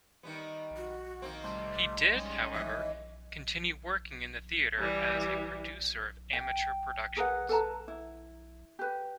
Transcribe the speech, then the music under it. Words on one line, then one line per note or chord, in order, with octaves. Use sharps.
He did, however, continue working in the theatre as a producer of amateur productions.
D#3 G3 B3
F#4
D#3 A#3 C4
C3 G3 A3 C6
G3 G#3 C#4
D#2 E3 D#5 E5
E3 G3
G5
G#4 A#4 B4 F#5
A4 B4 A5 A#5
E4
G4 B4